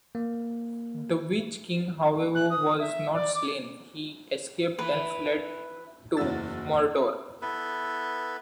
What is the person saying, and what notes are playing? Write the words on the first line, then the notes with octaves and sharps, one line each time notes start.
The Witch-king, however, was not slain: he escaped and fled to Mordor.
A#3
F#6
D#6
E5
D5
D6
E3 B4
F#1 E2 E4 F#4 E6 A6
B3 E4 A4 B4